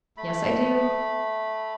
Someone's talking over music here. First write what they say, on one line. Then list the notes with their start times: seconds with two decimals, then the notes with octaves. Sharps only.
"Yes, I do."
0.17 A3 B5